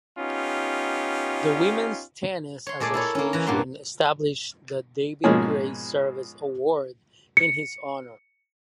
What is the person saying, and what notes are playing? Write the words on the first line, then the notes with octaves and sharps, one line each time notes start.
The Women’s Tennis Association established the David Gray Service Award in his honor.
B3 C#4 D#4 F4 G4
C#5 C6
A#2 G#3 A4 D5 G#5
E4 A4 C#5
A#3 C#4
E3 A#5
G2 A#2 E3 A#3 F#4 C6
G#2 B2 F3 A#3 C#4 G#4
C#7